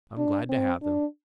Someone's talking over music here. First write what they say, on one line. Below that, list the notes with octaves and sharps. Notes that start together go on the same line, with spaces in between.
I'm glad to have them.
D4
C4
D4